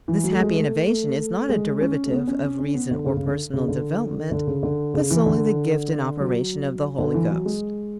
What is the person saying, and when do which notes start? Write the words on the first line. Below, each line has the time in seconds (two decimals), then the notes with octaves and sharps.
This happy innovation is not a derivative of reason or personal development, but solely the gift and operation of the Holy Ghost.
0.08 E3
0.24 F#3
0.32 A3
0.40 G#3
0.56 A3
0.87 A3
1.49 G#3
1.80 C#4
2.06 A3
2.12 B3
2.27 C#4
2.43 C#4
2.59 C#4
2.74 B3
2.91 D3
3.06 C#3
3.17 C#3
3.27 D3
3.53 C#3
3.68 D3
4.31 D3
4.47 C#3
4.63 D3
4.94 C#3
5.10 E3
5.26 D3
6.20 F#3
6.98 D3
7.14 E3
7.30 F#3
7.45 G#3